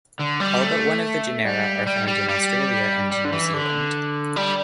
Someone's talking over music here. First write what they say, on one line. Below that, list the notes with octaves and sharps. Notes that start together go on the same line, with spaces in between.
All but one of the genera are found in Australia and New Zealand.
D3
G3
A3
G3
G3
G3
G3
G3
D3
E3
D3
G3